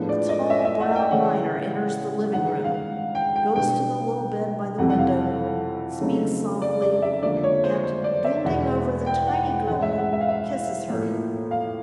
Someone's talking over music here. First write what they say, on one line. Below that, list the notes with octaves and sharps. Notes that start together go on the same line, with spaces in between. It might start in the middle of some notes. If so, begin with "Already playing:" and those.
A tall, brown miner enters the living room, goes to the little bed by the window, speaks softly, and, bending over the tiny girl, kisses her.
Already playing: A2 F3 G#3 B3 D4
D5
D#5
E5
E5
F#5
G5
C#3 E3 G#3 C#4 F#5
G2 D#3 G#3 F#5
F5
G5
G5
B2 G3 B3 D4 G5
F2 C3 E3 G3 C4 F#5
F#5
F5
C#3 F#3 A3 C4 D#4
D5
D5
E5
D3 F3 A#3 D5
C#5
C5
C5
D5
E5
E2 B2 G#3 F#5
G5
F#5
F#5
G#2 E3 G#3 C#4 E4 F#5
E5
F#5
E5
F5
E5
A2 F3 A#3
F5